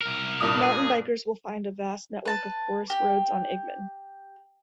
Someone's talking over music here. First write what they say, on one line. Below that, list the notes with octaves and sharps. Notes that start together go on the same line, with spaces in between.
Mountain bikers will find a vast network of forest roads on Igman.
C2 A#4
G2 A#2 D#6
G#4
B4 A5
G4